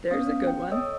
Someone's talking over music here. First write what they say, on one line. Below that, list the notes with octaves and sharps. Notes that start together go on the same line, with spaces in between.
There's a good one.
B3 C#4 F5 D#6
G5
A4 C#5 D#5 D#6 E6